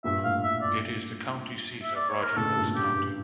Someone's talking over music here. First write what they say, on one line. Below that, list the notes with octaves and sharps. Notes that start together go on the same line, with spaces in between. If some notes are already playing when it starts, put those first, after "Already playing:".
It is the county seat of Roger Mills County.
G2 A#2 E5
A2 F5
G2 E5
G2 A#2 D5
E5
D5
C#5
A#4
A2 C#3 A4
G2 A#2
A#2
A2 G4
G2